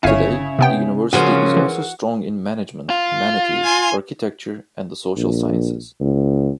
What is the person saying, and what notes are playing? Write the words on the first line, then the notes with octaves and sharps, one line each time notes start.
Today, the university is also strong in management, humanities, architecture and the social sciences.
G1 C#3 E4 C#5 F5 G#5
C3 B3 G5
C#3 F3 C#4 F#4 G#4 A#4 C5
E3
F4
G#5 C6
A#1
C#2